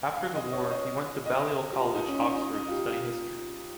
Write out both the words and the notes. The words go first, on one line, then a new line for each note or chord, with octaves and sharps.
After the war, he went to Balliol College, Oxford to study history.
F5
D#5
C#5
C#5
D#5
D#5
G4
F4
D#4
C#4
D#4
D#4
D#4
F4
G4
F4